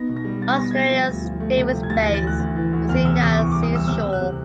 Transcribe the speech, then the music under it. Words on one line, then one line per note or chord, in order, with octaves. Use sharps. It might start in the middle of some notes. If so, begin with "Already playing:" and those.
Australia’s Davis Base is in that sea’s shore.
Already playing: B3 D#4 A#6
B2
A#6
G3
B3 A6
B3 A#6
G#6
G3 A6
F3
D2
F3
A3
C3
F3
G#6
D2 A6
E3 A#6
A6
D2 F#6
D2
E3
D2
E2 F6
C3 E6
C3 D#6
D6
E3 C#6
G3 D6
D#6
C3 E6
C3 E6
C3
F#6
C3